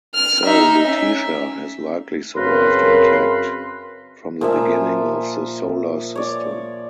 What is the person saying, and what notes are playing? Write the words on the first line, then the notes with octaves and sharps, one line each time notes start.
So, Lutetia has likely survived intact from the beginning of the Solar System.
F6
D#4 E5
C#4 E5
F#2 C#3 C4 A#4 B4 C6
A#2 F3 E5 G#5
C#5 D5